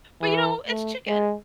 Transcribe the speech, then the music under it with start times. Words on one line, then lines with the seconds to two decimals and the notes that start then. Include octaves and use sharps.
But, you know, it's chicken.
0.21 E3
0.68 A3
1.08 G#3